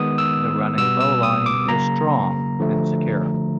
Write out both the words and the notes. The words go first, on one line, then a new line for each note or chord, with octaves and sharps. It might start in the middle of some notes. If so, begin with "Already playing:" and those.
The running bowline is strong and secure.
Already playing: D#3 G#3 B3 D#6
E6
B2 G3 B3 E6
E6
D#6
D6
C#3 F#3 A#3 A#5
D3 F3 A3